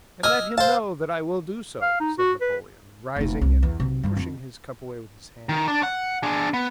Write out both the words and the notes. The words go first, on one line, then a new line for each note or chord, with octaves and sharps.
"And let him know that I will do so!" said Napoleon, rising and pushing his cup away with his hand.
D#5 G#5 E6 F6
C5 F5 A5
F5
D#4
F#4
B4
F1 D#4
C2
E2
B1 C3
G2 G3
F2
D#3
D4 D5
F#5
D4 G#4
B3